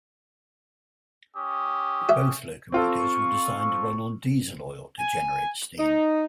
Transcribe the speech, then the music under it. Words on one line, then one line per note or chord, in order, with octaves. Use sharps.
Both locomotives were designed to run on diesel oil to generate steam.
C#4 G4 D#6
F#4 E5
C4 F4 A4 C#6
G#5
D#4